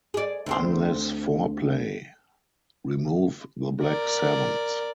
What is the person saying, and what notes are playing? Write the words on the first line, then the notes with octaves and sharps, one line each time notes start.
Unless four play, remove the black Sevens.
G#4 D5
D2 C4 C5
A#4 D5